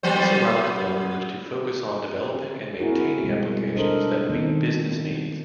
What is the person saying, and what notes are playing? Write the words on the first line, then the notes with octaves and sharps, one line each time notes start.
This allows developers to focus on developing and maintaining applications that meet business needs.
F#3 B3 C5
C4 E4 F#4 G#4 A#4
B2 G3 G#3
D4 A4 A#4 C5 D#5
D#3 A3 B3 C4 D#4